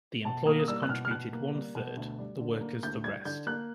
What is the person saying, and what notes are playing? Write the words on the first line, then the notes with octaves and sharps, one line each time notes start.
The employers contributed one-third, the workers the rest.
B2 A5
A#3 D#6
D#6
G3 E6
F#6
B2 F6
F6
B2 F#6
A#3
G3
B2
D2
G3
D3
A#3
D2 G6
G3 G#6
D3 G6
A#3 F#6